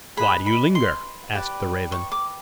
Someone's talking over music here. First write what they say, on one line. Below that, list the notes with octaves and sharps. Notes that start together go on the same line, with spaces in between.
"Why do you linger?" asked the raven.
G#4 B4 D#5 B5
B5
C6
G4 B4 D5
C#6
D6